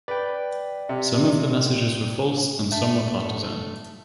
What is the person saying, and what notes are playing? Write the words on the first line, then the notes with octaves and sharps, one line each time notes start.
Some of the messages were false and some were partisan.
B4 D5 G5
C3
A3